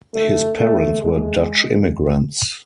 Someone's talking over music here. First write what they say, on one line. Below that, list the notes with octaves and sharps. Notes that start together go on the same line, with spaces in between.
His parents were Dutch immigrants.
A3
A3
G#3